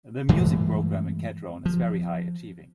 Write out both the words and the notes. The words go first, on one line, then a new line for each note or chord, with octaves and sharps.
The music program in Kedron is very high achieving.
G2 E3 G#3 A3
F3